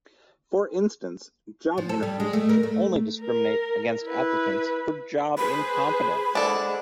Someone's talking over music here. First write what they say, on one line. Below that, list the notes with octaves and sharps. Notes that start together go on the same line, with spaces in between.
For instance, job interviews should only discriminate against applicants for job incompetence.
F3
A4
G3
G#3
A3
A#4
A3
A#4
E4 B4
G#4 B4 C5 B5
G#3 D4 A4 C5 D5 F#5